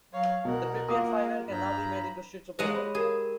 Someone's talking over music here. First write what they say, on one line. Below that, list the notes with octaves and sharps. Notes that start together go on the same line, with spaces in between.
The prepared fibre can now be made into sheets of paper.
F#3 C#5 F5
C2 B2 A#4 F#5
A#3 F4 D6 D#6
G2 A#5 B5
G#3 G4 G#4 C#5 F#5 A#5
C#5 B5
G4 G#4 A#4